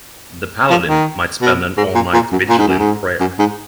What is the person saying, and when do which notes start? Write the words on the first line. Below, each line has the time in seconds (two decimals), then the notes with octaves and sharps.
The paladin might spend an all-night vigil in prayer.
0.70 F3
0.88 D#3
1.42 B2
1.77 G#2
1.95 A#2
2.13 A#2
2.32 F#2
2.49 A#2
2.58 G#2
2.68 F#2
2.79 G#2
3.20 F#2
3.39 G#2